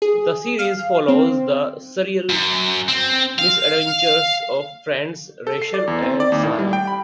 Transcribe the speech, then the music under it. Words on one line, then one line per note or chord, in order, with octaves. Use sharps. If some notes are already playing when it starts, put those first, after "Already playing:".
The series follows the surreal misadventures of friends Rachel and Sarah.
G#4
F5
C4
F#2
C4
F5
A4
C7
D5
E2
C4
D5
D#2
A2
G3
G5
B5